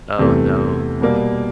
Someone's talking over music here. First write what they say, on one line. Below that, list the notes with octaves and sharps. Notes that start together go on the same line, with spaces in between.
Oh, no.
E2 C3 E3 A3
B2 G3 A#3